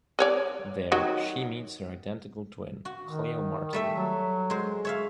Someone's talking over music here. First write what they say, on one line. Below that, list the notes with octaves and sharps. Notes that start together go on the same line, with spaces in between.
There, she meets her identical twin, Clio Martin.
B4 C#5 D5
D#3 F#3
F#4
D#3
G3 A3 E5
F#3
G#3 C5
C#5 E5 F5